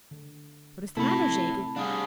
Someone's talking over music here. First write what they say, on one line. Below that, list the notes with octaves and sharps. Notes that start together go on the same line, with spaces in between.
'What is the matter, Jegu?
D3
C3 A3 E4 A4 A5 B5
G3 D4 G#4 F5 F#5